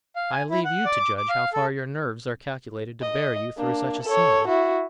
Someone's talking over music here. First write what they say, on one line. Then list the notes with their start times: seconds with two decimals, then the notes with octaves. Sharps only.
I leave you to judge how far your nerves are calculated to bear you through such a scene.
0.16 F5
0.32 G#5
0.50 E4
0.65 F#5
0.85 D5
1.00 D6
1.18 D6
1.29 F5
1.53 A4
3.01 D#5
3.58 A#3 D4
4.03 A4 C#5
4.48 E4 F#4